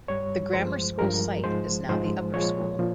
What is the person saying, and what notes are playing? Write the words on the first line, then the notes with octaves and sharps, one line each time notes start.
The grammar school site is now the upper school.
G2 G3 C#5
G2 F3 G#3 C5
G2 F3 G#3 A#4
G#2 F3 G#3 C5
G#2 F3 G#3 C5
A#2 F3 G#3 C#5
A#2 F3